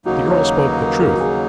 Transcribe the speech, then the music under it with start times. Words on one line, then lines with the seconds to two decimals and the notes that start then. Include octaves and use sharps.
The earl spoke the truth.
0.05 D#2 C#3 F#3 A#3 D#4 F#4
0.31 C#5
0.56 B4
0.82 A#4
1.02 A#4
1.14 F#4
1.20 G#4